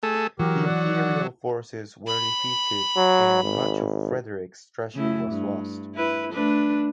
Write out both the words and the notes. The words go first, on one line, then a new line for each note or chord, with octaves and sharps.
The Imperial forces were defeated and much of Frederick's treasure was lost.
A3 G#4 A4
E3 F#3 G4 A#4
D5 F#5
B5
F#3
G#1
C#3 A3 E4
G2
E4 B4
A3 D4 B4